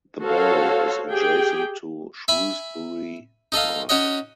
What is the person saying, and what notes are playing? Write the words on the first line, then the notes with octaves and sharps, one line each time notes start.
The barrow is adjacent to Shrewsbury Park.
F#4 A4 C5 C#5 F5
G4 G#4 G5
E5 G#5 B5
D#4 A4 D#5 F5
C#4 D#4 F#4 C#5 D#5